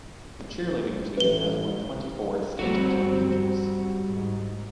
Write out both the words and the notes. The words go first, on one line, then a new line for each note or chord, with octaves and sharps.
The cheerleading team has won twenty-four state championships.
A1 B4 G7
G1 G3 C4 F#4
G#2